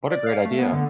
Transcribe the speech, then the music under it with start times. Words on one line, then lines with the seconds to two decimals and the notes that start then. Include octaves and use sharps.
What a great idea.
0.10 D5
0.26 F5
0.45 A3
0.59 B3
0.73 D3